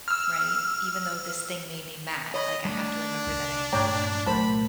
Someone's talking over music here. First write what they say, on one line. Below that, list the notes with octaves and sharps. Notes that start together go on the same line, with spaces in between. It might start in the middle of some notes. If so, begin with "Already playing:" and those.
right? Even though this thing made me mad, like, I have to remember that I know them.“
E6 F6
C#5 D#5 B5
G3 A3 D4
C2
G2 A#2 A3 C#5 G5 A#5 D6
C2 A#2 F#3 A3 C5 A5 B5